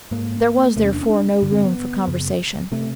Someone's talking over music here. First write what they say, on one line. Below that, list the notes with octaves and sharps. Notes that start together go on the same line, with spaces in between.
There was therefore no room for conversation.
G#2 A#3
E2 C3 A3
C#4
D4
C#4
D4
G2 D3
C4
B3
F#2 C#3
C3 A3